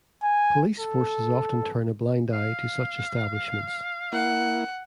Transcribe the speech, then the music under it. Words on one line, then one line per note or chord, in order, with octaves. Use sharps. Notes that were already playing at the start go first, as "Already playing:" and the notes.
Police forces often turn a blind eye to such establishments.
G#5
A4
F5
A#3 E4 F#5